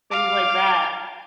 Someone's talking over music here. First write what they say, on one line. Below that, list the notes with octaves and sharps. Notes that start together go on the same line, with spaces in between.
things like that.
F5 D6